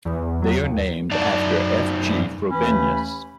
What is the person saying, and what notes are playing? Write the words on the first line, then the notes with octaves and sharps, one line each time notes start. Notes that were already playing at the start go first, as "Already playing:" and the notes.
They are named after F. G. Frobenius.
E2
F#3
D#2
F#2 D#4 D5 A5
D#2 E3 A3 C#4 B5